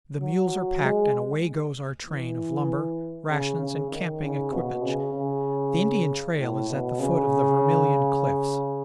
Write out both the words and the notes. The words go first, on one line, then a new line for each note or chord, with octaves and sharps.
The mules are packed and away goes our train of lumber, rations, and camping equipage. The Indian trail is at the foot of the Vermilion Cliffs.
F#3
G#3
E3
C#3
C#3
D#3
C#3
B2
C#3
C#3
A2
B2
C#3